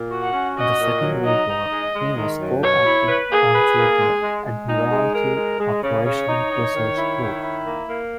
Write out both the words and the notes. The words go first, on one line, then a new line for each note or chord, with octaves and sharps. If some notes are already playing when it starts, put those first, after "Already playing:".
In the Second World War he was co-opted onto the Admiralty Operational Research Group.
Already playing: A#2
F#4
F#5
C#4
F#4 D#5
A#2
F#3
D#4 D#5
D#4
G#3
G#3
D#3
F#2
B2 C#5
E4
B4
A#3 G#4
B4
A#3
G#3
G#3
G#3
D#4
G#3
A#4
G#3
G#3
C#3
C#3 C#5
D#4
D#4
D#3
E4
D#3
E4
A#3
A#3